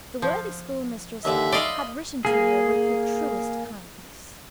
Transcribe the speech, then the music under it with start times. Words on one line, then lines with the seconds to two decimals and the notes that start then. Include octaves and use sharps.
The worthy schoolmistress had written to her with the truest kindness.
0.22 F3
1.25 D#2 D3 E5
1.52 D5 D#5 F5 B5 C6
2.25 A#3 G#4